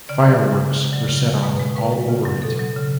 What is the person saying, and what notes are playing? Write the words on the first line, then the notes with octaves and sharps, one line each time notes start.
Fireworks were set off all over it.
C#3 D5
F#3
C#3
G#3
C#3 D5
F#3
C#3
F#3
B2 B4
G#3
A2 B4
F#3
C#3
F#3
B2 A4
F#3
C#3